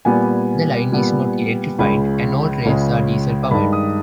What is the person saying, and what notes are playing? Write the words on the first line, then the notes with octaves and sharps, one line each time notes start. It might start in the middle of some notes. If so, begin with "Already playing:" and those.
The line is not electrified and all trains are diesel-powered.
A#2 G3 B3 G#5
A#2 G3 B3
C#2 C#3 G#3 B5
C#2 C#3 G#3
G2 D#3 G#3 B5
D#6